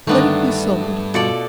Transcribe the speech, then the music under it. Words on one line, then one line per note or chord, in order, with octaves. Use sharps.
Let it be sold.'
G2 D3 D#3 A3 B3 D4
B2 F4 A4 D5 C#7